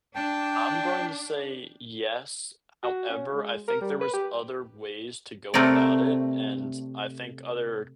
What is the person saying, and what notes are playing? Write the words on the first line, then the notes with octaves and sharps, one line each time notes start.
I'm going to say yes, however, I think there was other ways to go about it, and I think other,
D4 G5 A5
F#4
C#4
G#3
A#4
G3
B4
G4
C3 A3 C4 A#4 C#5 D5